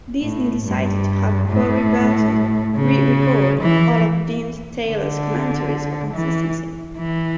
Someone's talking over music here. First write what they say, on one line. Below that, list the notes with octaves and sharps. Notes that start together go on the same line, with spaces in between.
Disney decided to have Corey Burton re-record all of Deems Taylor's commentaries for consistency.
A2
G2
A2
C#3
E3
D3
E3
E3